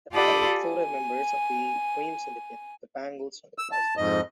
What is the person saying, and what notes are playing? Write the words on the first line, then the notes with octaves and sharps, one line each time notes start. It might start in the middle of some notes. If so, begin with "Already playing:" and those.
The band included members of the Dream Syndicate, the Bangles and the Cowsills.
F4 G4 A4 D5 B5 D#6
G#5
E6
A5
F2 G#2 D#5